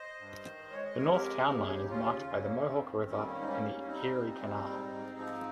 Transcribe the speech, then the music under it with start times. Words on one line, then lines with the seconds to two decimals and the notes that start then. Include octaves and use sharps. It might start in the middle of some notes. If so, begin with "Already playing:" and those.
The north town line is marked by the Mohawk River and the Erie Canal.
Already playing: C5 D#5
0.20 G2
0.46 D#3
0.71 G#3 C#5
0.84 D#5
0.97 F2 A#4 C#5
1.11 G4 A#4
1.25 C#3
1.50 D#2 G4
1.62 G#4
1.73 D#2 D#4 G4
1.90 C#4 F4
2.03 C#3
2.29 F2 A#3 C#4
2.57 F2
2.69 C4
2.82 D#3
3.09 G3 C#4
3.17 C4
3.26 A#3 C#4
3.35 G#2
3.41 D#4
3.48 A#3 C#4
3.62 G3
3.79 C#4
3.87 G3 C4 D#4
4.14 A#2
4.40 G3
4.66 G#2
4.92 G#2
5.19 F3